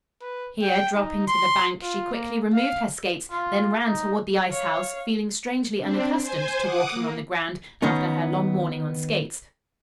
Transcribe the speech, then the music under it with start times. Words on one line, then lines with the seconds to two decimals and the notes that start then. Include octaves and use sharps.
Here, dropping to the bank, she quickly removed her skates, then ran toward the ice house, feeling strangely unaccustomed to walking on the ground after her long morning on skates.
0.22 B4
0.62 G5
0.96 D#4
1.27 C6
1.82 F4
2.13 A#3
2.53 F5
3.31 F4
3.87 D#4
4.50 C#5 F5
5.78 C4 D4
6.19 C5 G#5
6.60 F#5 D6 D#6
6.90 A#3
7.82 D#3 B3 C#4 D#4